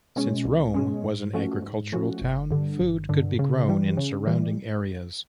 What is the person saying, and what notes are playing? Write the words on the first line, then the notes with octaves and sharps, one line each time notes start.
Since Rome was an agricultural town, food could be grown in surrounding areas.
B2 G#3 C#4
C2
B2 G#3 C#4
G#2
F3 A3 C#4 F#4
G#2
F3 A3 C#4 F#4
G1
G2 D3
G1
G2 D3
C#3
E3 G3
C#3
E3 G3